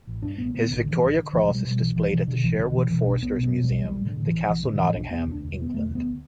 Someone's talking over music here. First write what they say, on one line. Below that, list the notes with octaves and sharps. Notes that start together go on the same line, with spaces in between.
His Victoria Cross is displayed at the Sherwood Foresters Museum, The Castle, Nottingham, England.
A1
G2 D4
A1 B3
D3 B3
A1 D3
G2
E3
A1
D3
B1 E3
E3
B2 G3
B2 G3
B1 E3
B1 E3
B2 E3
B2 D3
B1 E3
B1 D3
B2 E3
B2 E3
B1 D4
B1 B3
B2
B3
B2
G3
B1
B1 G3
A2
D3
A2
E3
B1
B1 E3
A2 D3
A2 E3
B1 D4
E1 B3
D2
D4
E1
D3 B3
E1 A3
D2
B3